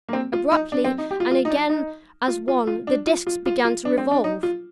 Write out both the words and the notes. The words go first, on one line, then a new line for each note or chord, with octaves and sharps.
Abruptly, and again as one, the disks began to revolve.
A#3
C4
F4
D#4
D4
C4
D#4
G4
F4
F4
D#4
D4
D#4
F4
F4
F4
D4
F4
F4
F4
F4
D4
C4
D4
D#4
F4